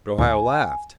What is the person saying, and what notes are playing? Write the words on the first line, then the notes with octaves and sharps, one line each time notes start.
But Ohio laughed.
D2 A2 G#5